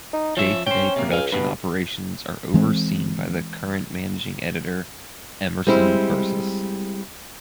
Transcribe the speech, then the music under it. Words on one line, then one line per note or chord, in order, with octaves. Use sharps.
Day-to-day production operations are overseen by the current managing editor, Emerson Bursis.
D#4
F3 C#4 E5
C#4 C5 G5
C3 A#3
C#2 F5 G#5
G2 B2 B4
E3 G#3 C4
G3 G#3 C4 E4